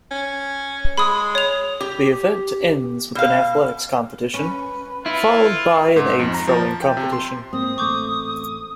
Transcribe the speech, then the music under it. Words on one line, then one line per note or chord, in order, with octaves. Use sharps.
The event ends with an athletics competition, followed by an egg throwing competition.
C#4
G#3 B5 D#6
C#5 F7
G4
B2 F5
C#4 B4
E4 F4
G#2
F2
A#5
F3
A5
G5
C3
C6
G#2 A#3 C4 D#6
A1 A3 C#6 D6 G6